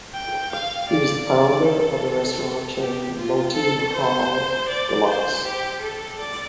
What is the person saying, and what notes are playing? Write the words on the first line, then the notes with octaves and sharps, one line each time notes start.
He was the founder of the restaurant chain Moti Mahal Delux.
G5
F5
D5
D5
A4
G4
F4
A4
C5
D5
C5
G4
A4
D5